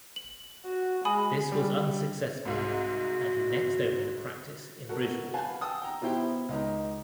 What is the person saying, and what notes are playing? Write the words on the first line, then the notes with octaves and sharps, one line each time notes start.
This was unsuccessful, and he next opened a practice in Bridgewater.
F#7
F#4
G#3 G#5 B5 D#6
G3
C2 G#2 F#4 F5
F#4 A4 A#4
B4 F5 F#5 G#5 A5
F#5 G5 A5 D#6 E6
G5 A#5
B2 B3 E4 G4 C5 G5
C#2 D#4 A#5